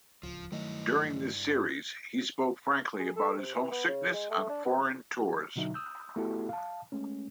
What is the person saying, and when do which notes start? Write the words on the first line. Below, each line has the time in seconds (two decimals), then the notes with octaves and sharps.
During this series, he spoke frankly about his homesickness on foreign tours.
0.23 D1 C#2 F3
0.52 G2 D#3 F#3 A3 E4 D#5
3.00 G#4
3.16 A4
3.38 C3
3.55 E3
3.70 B3
3.87 C#3
4.13 G#3
4.30 A3
4.49 D4
4.65 B3
5.56 B2 D3 F#3 D#4 E5
5.74 D#6 E6 G6
6.16 A3 B3 E4 F#4 G4 A4
6.49 F5 A5
6.92 G#3 A3 C#4